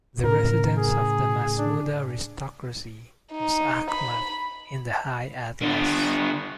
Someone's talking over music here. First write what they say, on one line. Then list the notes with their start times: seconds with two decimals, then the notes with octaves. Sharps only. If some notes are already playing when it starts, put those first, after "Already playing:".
The residence of the Masmuda aristocracy was Aghmat in the High Atlas.
0.24 A2 C#3 A#4
0.77 G#4
1.58 D4
3.32 D#4
3.91 B5
5.62 D3 B3